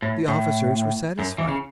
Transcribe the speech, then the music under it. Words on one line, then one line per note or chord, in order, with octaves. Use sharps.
The officers were satisfied.
A2
A2
F#2
E3
C#3